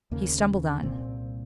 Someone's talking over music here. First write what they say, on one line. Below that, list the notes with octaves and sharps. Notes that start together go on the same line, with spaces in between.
He stumbled on.
D#2 C#3 A#3
C2 A#2 C4